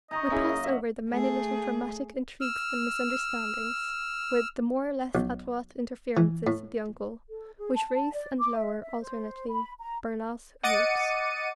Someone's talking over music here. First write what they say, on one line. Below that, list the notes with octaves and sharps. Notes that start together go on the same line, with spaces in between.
We pass over the many little dramatic intrigues and misunderstandings, with the more or less adroit interferences of the uncle, which raise and lower alternately Bernard's hopes.
D#4 D#5 A#5 C#6
F#2 A#3 C#4 E4 G#4
E5 F#5
A3 G#4
E6 F6
B1
E3
A2
A4
G#4
A5
A5
D5
D6
E5
E5
C5
B5
A#5
D#5 F#5 D6 A6 C#7 D#7